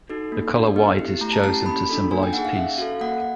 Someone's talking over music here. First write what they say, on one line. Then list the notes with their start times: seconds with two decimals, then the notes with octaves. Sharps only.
The color white is chosen to symbolize peace.
0.10 D#4 F#4 A4
0.32 A#3
0.54 D4 F#4 A4
0.76 B3
0.99 E4 G4
1.21 A3 A#5
1.32 A5
1.44 C#4 E4 G4 A5
1.66 A#3 B5
1.89 D4 F4 A4
2.11 A#3 G#5
2.23 G5
2.33 D#4 G#4 F#5
2.45 F5
2.56 C#4 E5
2.78 F#4 A4 F5
3.01 A#3 F#5